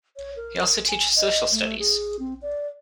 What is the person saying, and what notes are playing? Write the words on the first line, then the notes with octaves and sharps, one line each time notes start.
He also teaches social studies.
C#5
A#4
G#5
D#5
A3
G#4
C4
D5